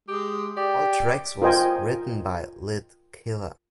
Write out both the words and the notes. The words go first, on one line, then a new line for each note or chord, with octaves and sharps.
All tracks was written by Lit Killah.
G#3 G4
G4 D5 G5
F4 A#4 C5 D#5 G5 G#5